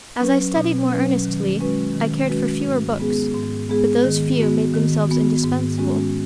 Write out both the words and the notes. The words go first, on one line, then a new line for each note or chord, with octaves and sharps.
As I studied more earnestly, I cared for fewer books, but those few made themselves indispensable.
F#3 C#4 B4
B2
F#3 C#4 B4
D#3
G#3 C#4 F#4 B4
D#3
G#3 C#4 F#4 B4
G#2
G#3 B3 G#4
G#2
G#3 B3 G#4
D#3
B3 F#4
D#3
B3 F#4
G#2
G#3 C#4 F#4